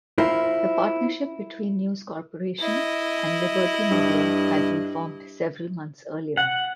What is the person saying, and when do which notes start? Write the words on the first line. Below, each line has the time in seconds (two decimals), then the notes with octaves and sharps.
The partnership between News Corporation and Liberty Media had been formed several months earlier.
0.18 E4 F4 A#4 C5
2.60 E4 D#5
3.91 G2
6.37 F#5